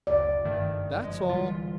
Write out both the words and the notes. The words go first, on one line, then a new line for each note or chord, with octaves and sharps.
That's all.'
F#1 D2 D5
G2 D#3 A3
F3 G#3
D1 E3 G3 F4